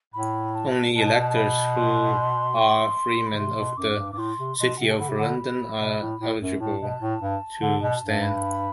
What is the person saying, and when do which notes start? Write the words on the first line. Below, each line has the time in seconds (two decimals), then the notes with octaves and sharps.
Only electors who are Freeman of the City of London are eligible to stand.
0.13 A2 B5
0.55 A5
0.95 B2 A5
1.35 B5
1.76 C6
3.26 B5
3.33 D3
3.37 C3 C6
3.58 B2
3.77 F#2 D6
3.98 G2
4.12 G2 D6
4.18 A2 C6
4.39 C3
4.58 B2 C6
4.77 C3 F#5
4.84 G5
4.91 A5
4.99 D3 B5
5.09 C3
5.18 D3
5.80 B2
6.00 A2
6.21 A2
6.41 F#2
6.60 A2 A5
6.81 B2
7.01 A2
7.22 G2
7.62 D3
7.82 B2
8.02 G2
8.23 B5